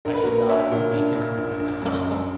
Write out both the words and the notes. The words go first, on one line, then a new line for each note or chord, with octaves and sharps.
I should not be in a group with them.
A#1 A#4
B4
A#3 F#4 A#4
D4 C#5 E5
A#2
D4
A#2
A#1
A#1
F#2
F#2